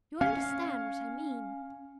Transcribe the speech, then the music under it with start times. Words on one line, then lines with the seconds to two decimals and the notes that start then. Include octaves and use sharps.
You understand what I mean.
0.21 C#4 F5